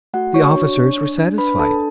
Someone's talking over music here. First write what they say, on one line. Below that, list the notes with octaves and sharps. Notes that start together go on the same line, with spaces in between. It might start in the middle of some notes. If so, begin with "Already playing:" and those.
The officers were satisfied.
A3 F#4 F#5
F#4 C#5 C#6
D4
D4
D4
D4
D4 B4 B5
D4 A4 A5